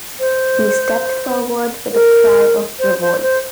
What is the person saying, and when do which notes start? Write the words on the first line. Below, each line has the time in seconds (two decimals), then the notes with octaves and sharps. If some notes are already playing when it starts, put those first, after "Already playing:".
He stepped forward with a cry of revolt.
0.20 C5
1.93 A#4
2.79 C5
3.02 C5
3.23 C5